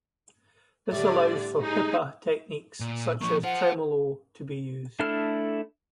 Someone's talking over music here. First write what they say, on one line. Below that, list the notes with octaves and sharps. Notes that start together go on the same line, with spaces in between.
This allows for "pipa" techniques such as tremolo to be used.
A2 D3 G3 D5
D#4 G#4
A#2
F3 A#3 C#6
F4 C5 F#5
A3 D4 E4 A4 F6